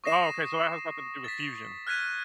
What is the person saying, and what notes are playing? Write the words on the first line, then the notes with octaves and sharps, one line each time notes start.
Oh, okay, so that has nothing to do with fusion.
C#6 D#6 A#6 C7 E7
A6 B6
F6 F#6 G#6 B6 D#7